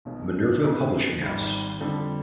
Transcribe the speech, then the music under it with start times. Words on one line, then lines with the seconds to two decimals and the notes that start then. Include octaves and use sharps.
Minerva Publishing House.
0.05 B1 B2 G#3
0.63 B2 B3 D#4 G#4 B4
1.22 G#1 G#2 G3
1.80 F2 D3 G3